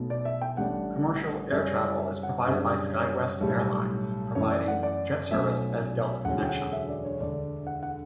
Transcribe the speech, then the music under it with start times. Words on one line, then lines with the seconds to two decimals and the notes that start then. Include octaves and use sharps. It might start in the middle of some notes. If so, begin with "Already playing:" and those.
Commercial air travel is provided by SkyWest Airlines, providing jet service as Delta Connection.
Already playing: B1 B2 F#3 A3
0.10 D5
0.25 E5
0.41 G5
0.57 A1 A2 G3 D4 F#5
1.51 F#2 C#3 G3 C#4 E5
1.75 D5
1.98 E5
2.23 F#5
2.47 F#2 C#3 G3 D4 E5
2.94 C#5
3.41 B1 A2 G3
4.35 F#2 E3 A3 C#5
4.51 D5
4.68 F#5
4.83 D5
5.31 B1 B2 F#3 A3 C#4 E5
6.25 E1 D2 D3 F#3 C#4 F#5
6.44 G5
6.49 F#5
6.73 E5
6.88 D5
7.05 C#5
7.19 E1 D2 D3 D5
7.67 F#5
7.83 F#5